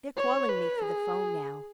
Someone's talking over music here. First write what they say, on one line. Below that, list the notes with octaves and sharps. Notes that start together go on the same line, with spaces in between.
They're calling me for the 'phone now.
C#5
B4
G#4